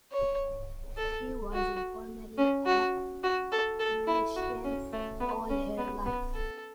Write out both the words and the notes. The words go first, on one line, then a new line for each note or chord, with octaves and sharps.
She was informally a Manichaean all her life.
C#5
A4
F#4
C#4
F#4
F#4
A4
A4
E4
F#4
C#4
A3
B3
C#4
B3
B3
A4